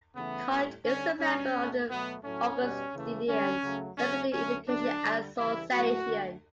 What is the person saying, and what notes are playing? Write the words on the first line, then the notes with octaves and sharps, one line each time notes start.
The college is a member of the Augustinian Secondary Education Association.
C#3 E3 A3 B3
A2 G3
D3 G3 C#4
B2 G3 C#4
B2 A3
B2 F#3 A3 B3
A2 F#3 A3 C#4
B2 G3
C#3 E3 A3
D3 G3 C#4
C#3 F#3 A3
C#3 F#3 A3 C#4
D3 F#3 A3 C#4
D3 F#3 A3 D4
D3 G3
C#3 E3 G3 E4
A2 F#3 A3 F#4
D3 A3